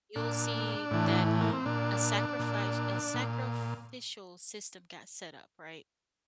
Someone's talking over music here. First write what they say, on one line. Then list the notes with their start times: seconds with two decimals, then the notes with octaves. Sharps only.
you'll see that, um, a sacrifice a sacrificial system got set up, right?
0.16 A#2 D4
0.91 A2 E3
1.41 A#3
1.53 C4
1.65 A#2 D4
2.39 A#2
3.14 A#2